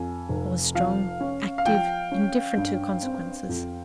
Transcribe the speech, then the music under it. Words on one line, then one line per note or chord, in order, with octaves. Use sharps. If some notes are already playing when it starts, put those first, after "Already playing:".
I was strong, active, indifferent to consequences.
Already playing: F2 G#5
F1
F3 F5
C#4
F5
F3 G5
C#4
G2
C4
F2